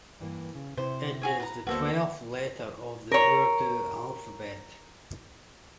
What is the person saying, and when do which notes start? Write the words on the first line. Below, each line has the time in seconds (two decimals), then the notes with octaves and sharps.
It is the twelfth letter of the Urdu alphabet.
0.20 G2 E3 A#3
0.55 C#3
0.77 C3 E4 C5
1.21 F#4 G#4 C#5
1.39 B4 A5 A#5
1.67 D2 A#3 B3 F#4 A4 C5
3.11 A#4 C#5